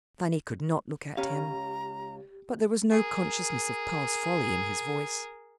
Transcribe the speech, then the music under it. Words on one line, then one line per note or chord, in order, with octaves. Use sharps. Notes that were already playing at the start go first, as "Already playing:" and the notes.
Fanny could not look at him, but there was no consciousness of past folly in his voice.
C#2 C#4 G4 F5 A#5
G#4 A#4